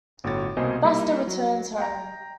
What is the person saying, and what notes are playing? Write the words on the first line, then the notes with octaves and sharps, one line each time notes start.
Buster returns home.
G1 A2 F#4 C#5 A6
C2 B2 A#3 C5 D#5 G#5
G3 A#3 D#4 E4
F#3
G5 A#5